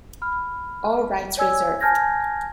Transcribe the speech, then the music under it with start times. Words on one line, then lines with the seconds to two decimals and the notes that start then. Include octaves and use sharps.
All rights reserved.
0.22 B5 F6
1.37 C#5 D5 G#5 E6 G#6
1.81 G#5 A5 F6 G6 G#6 A#6